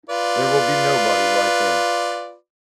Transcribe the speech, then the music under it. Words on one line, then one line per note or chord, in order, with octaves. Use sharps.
There will be nobody like him.
F4 B4 D5